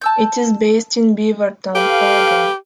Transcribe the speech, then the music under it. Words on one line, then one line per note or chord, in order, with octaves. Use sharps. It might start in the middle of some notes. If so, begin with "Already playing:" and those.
It is based in Beaverton, Oregon.
A5 E6 G6
G4 A4 B4 F5